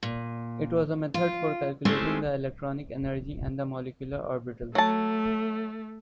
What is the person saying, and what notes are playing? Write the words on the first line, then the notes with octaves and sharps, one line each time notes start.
It was a method for calculating the electronic energy and the molecular orbitals.
A#2
F4
G#3 A3 C4 C#4 E4 G4
F#3 A3 A5